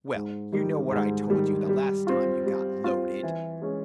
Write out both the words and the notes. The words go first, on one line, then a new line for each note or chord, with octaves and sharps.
Well, you know what I told you the last time you got 'loaded'?
G#2
D#3 G3
G#2
D#3 G3
G3
C4 F4
G3
C4 F4
E3
G#3 C#4